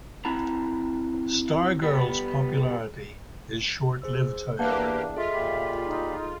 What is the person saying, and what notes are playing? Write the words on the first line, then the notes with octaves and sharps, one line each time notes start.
Stargirl's popularity is short-lived, however.
C4 E4 F#5 A5 A#5
G3 B3
G#4 C5 E6
E2 A#3 D4 G4 B4 E5 F#5 A5
F4 G#4 A4 D#5 E5
A#2 G4 B5
D#4